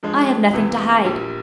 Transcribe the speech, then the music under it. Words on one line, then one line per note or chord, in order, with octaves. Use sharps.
I have nothing to hide.
G2 F3 G#3
E2 C3 E3
A#1 A#2 G3